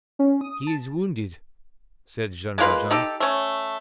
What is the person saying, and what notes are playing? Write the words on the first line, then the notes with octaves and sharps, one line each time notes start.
"He is wounded," said Jean Valjean.
C#4
D#6
A5
G#3 A#3 F4 B4
D#4 G4 A4
A3 C#4